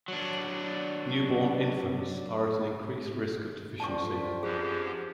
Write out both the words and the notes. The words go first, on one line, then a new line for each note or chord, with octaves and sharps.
Newborn infants are at an increased risk of deficiency.
F#3 D4
F2 D3 F4 G4 A5 C#6
F#2 F3 B3 G4 G#4 B4